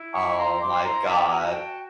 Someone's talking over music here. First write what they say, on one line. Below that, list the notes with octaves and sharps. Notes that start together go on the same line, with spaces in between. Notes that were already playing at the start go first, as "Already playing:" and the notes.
Oh, my god.
Already playing: E4
B5 C#6
C5 A#5 C6
C6 D6
E4 A#5 C6
A5 B5
F#4 G#5 A#5
B5
A#5
G5 A5